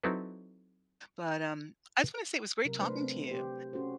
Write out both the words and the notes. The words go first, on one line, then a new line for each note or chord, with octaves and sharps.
But, um, I just wanna say it was great talking to you,
F#3 C4 D#4 E4 A4 B4
C3 F#3 A#4
A3 D4 B4 C5
C4
G4 C5
C#4 F#4 A4 C5